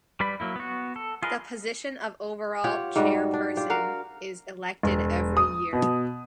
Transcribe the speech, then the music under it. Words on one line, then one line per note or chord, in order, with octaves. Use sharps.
The position of overall chairperson is elected every year.
G3 B4 D5 B5
F#3 A#3 E4
B3 F#4
A4
F4 G#4 A#4 B4 D#5
F4 G4 C#5 F#5
G#2 G3 F#4
D4
F4 G4
F#4 A#4 F5
E1
D#6
B2